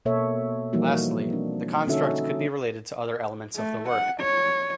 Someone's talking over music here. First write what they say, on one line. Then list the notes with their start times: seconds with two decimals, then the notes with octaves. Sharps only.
Lastly, the construct could be related to other elements of the work.
0.05 B2 A#3 A4 C#5 E5
0.73 E3 F3 G3 A#3 D#4 F#4
1.30 C4 D4
1.87 D3 C#4 D#4 F#4 A4 E5
3.56 A3
3.89 F#5
4.21 C#5